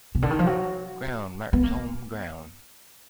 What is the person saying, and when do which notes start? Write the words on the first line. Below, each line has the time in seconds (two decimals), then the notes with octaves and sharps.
Ground, Martyn's home ground.
0.15 B2
0.22 D3
0.30 D#3
0.39 F3
0.47 F#3
1.53 B3
1.64 A#3